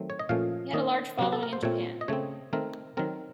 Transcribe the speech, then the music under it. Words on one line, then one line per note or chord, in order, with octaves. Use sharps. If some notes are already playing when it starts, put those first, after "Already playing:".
He had a large following in Japan.
Already playing: D#3 F#3 A3 C4
C#5
D#5
A#2 F3 A3 C#4 F5
D#3 A#3 C#4 D#5
C3 F#3 C4 F#4
A4
A#4
C5
A#2 A3 C4 C#5
D#5
C#3 A3 C4 C#5
D#3 A3 C4 A#4
D#3 F#3 C4 A#4